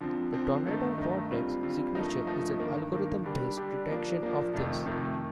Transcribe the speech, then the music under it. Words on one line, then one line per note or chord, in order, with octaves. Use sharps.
The tornado vortex signature is an algorithm-based detection of this.
D3 F3 C4
D3 F3 C4
G2 D#3 A3 D#4
G2 D#3 A3 D#4
D3 G3 C4 F4
D3 G3 C4 F4
G2 F3 A3 D#4 A#4
G2 F3 A3 D#4 A#4
G2 D#3 A#3
G2 D#3 A#3
D3 G3 D4 G4
D3 G3 D4 G4
F3 A#3 D4
F3 A#3 D4
F2 C3 D#3 A3
F2 C3 D#3 A3